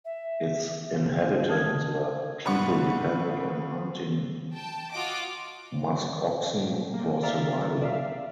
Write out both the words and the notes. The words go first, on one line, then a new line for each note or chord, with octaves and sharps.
Its inhabitants were people dependent on hunting muskoxen for survival.
E5
A5 D#6 G#6
F2 G3 B4 D5 F#5 C#6
G5 A5
F4 F#4 D#5 D6
A#3
D5 E5 F5 A#5 F6 A6
D5 E5 F5